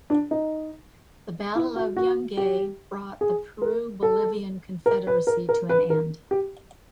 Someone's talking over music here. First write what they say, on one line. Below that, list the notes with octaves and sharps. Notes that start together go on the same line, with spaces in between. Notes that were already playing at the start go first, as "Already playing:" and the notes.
The Battle of Yungay brought the Peru-Bolivian Confederacy to an end.
D4
D#4
E4
F#4
F#4
G4
G#4
A#4
A4
A#4
B4
A#4
A#4
B4
A#4
G4